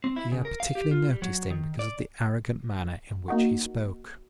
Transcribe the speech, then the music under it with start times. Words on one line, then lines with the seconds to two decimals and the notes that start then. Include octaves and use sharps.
He had particularly noticed him because of the arrogant manner in which he spoke.
0.04 C4
0.16 E4
0.32 C#3
0.45 A#4
0.60 F5
0.75 G4
0.91 F4
1.09 G3
1.22 F#3
1.50 D#3
1.79 D5
3.28 A#3 D#4 F#4